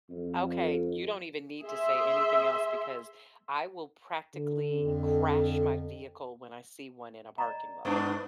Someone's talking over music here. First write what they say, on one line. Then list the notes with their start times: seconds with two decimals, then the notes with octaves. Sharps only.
Okay. You don't even need to say anything else because I will practically crash my vehicle when I see one in a parking lot.
0.10 F2
1.63 G#4 E5 C6
4.36 D3
4.79 F2
7.38 D5 D#5 A#5
7.85 G2 B3 D4 C5